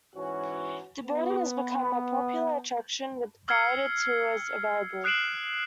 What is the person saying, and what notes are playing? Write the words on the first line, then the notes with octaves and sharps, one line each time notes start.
The building has become a popular attraction with guided tours available.
G#2 E3 C#4 F#4 C#5 G#5
B3
E6 F6 G#6 C7 C#7
D#6 F#6 C7 D7 E7 F#7